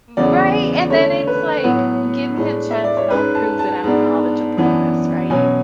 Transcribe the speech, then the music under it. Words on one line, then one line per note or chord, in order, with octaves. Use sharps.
Mm Right? And then it's like, "Give me a chance, and I'll prove that I'm knowledgeable in this," right?
E2 C#3 F#3 B3 D5
D3 A3 C#4 C#5
B4
A2 F#3 B3
A2 G#3 D4
E5
D5
C#5
G#2 G#3 C#4 B4
A5
A5
G#2 G#3 B3 D4
F#2 E3 B3 D4
B2 F#3 C#4 G#5